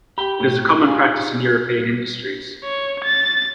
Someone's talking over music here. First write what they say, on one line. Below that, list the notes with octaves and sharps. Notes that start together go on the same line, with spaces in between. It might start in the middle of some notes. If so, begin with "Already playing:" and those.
It is a common practice in European industries.
G4 G5 B5
A2
D#4 F4 G#4
C#5
A6